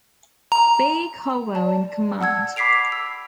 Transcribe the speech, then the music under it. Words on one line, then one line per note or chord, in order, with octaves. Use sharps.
B. Colwell in command.
A#5
D5 A5
F#5 A5 E6 G#6
B5 D6 B6 C7 D7 F7
E6